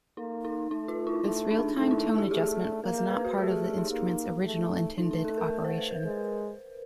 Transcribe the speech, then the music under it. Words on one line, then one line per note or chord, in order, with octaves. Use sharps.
This real-time tone adjustment was not part of the instrument's original intended operation.
A#3 D#4
D#4
A3 D#4
F4
E4
A3 D#4
D4
A3 D#4
E4
G4
A3 G#4
A#3 A#4
A#4
B4
F#4
A3 G4
G#4
G4
D#4
A#3
A3
A3 D#4
D#4
A4
A#4
C5
B4
A#4
G#3